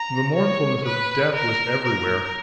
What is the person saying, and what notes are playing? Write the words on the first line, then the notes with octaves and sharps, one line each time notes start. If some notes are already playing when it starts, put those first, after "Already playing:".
The mournfulness of death was everywhere.
Already playing: A#5
C#5
B4
A#4
A#4